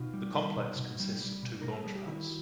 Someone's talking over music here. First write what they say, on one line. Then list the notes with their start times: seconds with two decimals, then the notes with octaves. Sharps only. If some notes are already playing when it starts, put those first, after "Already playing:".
The complex consists of two launch pads.
Already playing: B2 D#4 F4
0.14 G3
0.35 G3
0.56 B2
0.78 B2
1.00 G3
1.22 G3
1.43 B2
1.62 B2 A#4
1.73 A4
1.84 G3 G#4
1.95 G4
2.07 D#3 E4 F#4